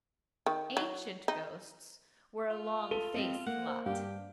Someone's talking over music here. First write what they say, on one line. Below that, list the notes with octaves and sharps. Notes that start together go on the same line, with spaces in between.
Ancient ghosts were a long-faced lot.
D#3
F#3
D#4
F4
A4 B4 D#7 G7
G3 C4 D#5
A#3 F#5
C5
G2 G4 F5